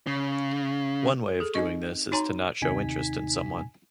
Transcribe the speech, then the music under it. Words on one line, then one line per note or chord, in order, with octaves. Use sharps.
One way of doing this is to not show interest in someone.
C#3
G#4 A4
C4 D#4 D#5 C#6
D#4 F#4 C#5 G#5 A#5 C6
D#2 C3 D#4 G#5 B6